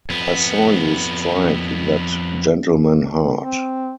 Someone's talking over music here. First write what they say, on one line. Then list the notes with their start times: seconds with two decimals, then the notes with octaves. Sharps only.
I saw you strike that gentleman hard.
0.10 F2 B3
3.42 C4